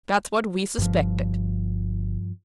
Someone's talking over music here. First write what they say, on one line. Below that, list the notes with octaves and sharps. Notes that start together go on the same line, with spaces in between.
That's what we suspected.
G1 G2 F3